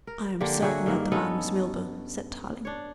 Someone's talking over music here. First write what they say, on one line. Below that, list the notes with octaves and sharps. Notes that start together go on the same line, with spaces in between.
"I am certain that the man was Milburgh," said Tarling.
A#4
D3 A#3 G4
F#3 F#4 G#4 E5
G2 D#3 A#3
B3 C#4 D#4 A4
D4 C#5